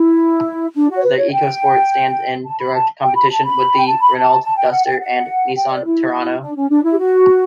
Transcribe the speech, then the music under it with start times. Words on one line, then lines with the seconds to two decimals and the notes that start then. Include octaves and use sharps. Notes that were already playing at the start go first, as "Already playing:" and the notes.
The Ecosport stands in direct competition with the Renault Duster and Nissan Terrano.
Already playing: E4
0.75 D4
0.89 F#4
0.96 C#5
1.03 B4
1.17 C#5
1.32 G5
2.45 A5
2.59 B5
2.74 A5
3.02 G5
3.15 B5
3.30 A5
3.44 B5
3.75 G5
3.87 A5
4.00 B5
4.15 A5
4.43 A5
4.57 G5
4.71 F#5
4.86 G5
5.00 F#5
5.56 G5
5.70 D5
5.84 E4
6.41 D4
6.55 C#4
6.69 D4
6.83 E4
6.91 G4
6.98 F#4